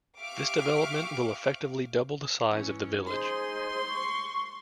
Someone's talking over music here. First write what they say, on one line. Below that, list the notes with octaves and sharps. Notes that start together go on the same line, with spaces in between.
This development will effectively double the size of the village.
G4 E5 F5 C#6 D6 F6
E3 C#4
D#4 G#4 C5 C6
C#6